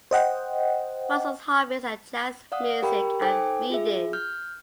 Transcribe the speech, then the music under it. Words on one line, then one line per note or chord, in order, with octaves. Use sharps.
Rusol's hobbies are jazz music and reading.
C5 D#5 F#5 G5
D5 F5 F#5 D#6
G4 A#4 G5 B5
D#4 A4 C5 G5 G#5 D6
F4 G#4 E5
F6 G6